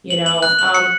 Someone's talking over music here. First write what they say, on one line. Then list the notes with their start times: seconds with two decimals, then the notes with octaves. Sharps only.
you know, um,
0.10 F#7
0.26 F#7
0.43 F#6
0.59 F#7
0.75 C#7